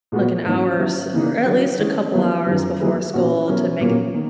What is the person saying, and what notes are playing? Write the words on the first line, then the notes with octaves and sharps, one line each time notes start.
like an hour or s or at least a couple hours before school to make it
A#2 G#3 B3 F#4 B4
G#2 E3 A#3 C#4
F#3 C#4 E4
C#3 E3 A#3 D#4
F#3 C#4 F#4
E3 G#3 C#4
F#3 A#3 C#4 E4 B4
F#2 D#3 F#3
F#3 A#3 E4 G#4 B4
A#2 A#3 C#4 F#4
B2 F#3 C#4 E4 A#4
A#2 F#3 A#3 C#4
D#3 A#3